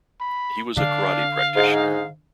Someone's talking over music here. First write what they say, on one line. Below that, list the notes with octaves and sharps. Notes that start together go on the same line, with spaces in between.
He was a karate practitioner.
B5
D3 D4 F5
G#2 D#4